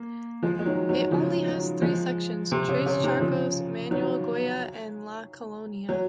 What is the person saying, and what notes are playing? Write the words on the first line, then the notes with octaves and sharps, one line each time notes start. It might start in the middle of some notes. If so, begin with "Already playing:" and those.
It only has three Sections: Tres Charcos, Manuel Goya and La Colonia.
Already playing: A#3
F3 G#3
G#3
D#3 F#3
D#3 F#3
C#3 F3
D#3 F#3
F3 G#3
C3
C#3
C#3
C3 D#3
C#3 F3
D#3 F#3
F#3